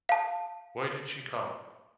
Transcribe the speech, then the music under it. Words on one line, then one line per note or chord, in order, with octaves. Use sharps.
Why did she come?
F5 A5